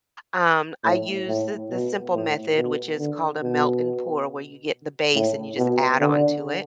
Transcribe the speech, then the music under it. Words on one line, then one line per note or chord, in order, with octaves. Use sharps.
Um, I use th the simple method, which is called a melt and pour where you get the base, and you just add on to it.
A2
A2
B2
A2
B2
D3
B2
A2
B2
D3